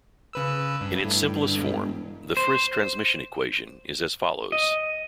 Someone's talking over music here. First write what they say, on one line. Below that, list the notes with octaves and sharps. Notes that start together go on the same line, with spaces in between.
In its simplest form, the Friis transmission equation is as follows.
C#3 B4 E6
G2
A2
D3
E1
C5
D#5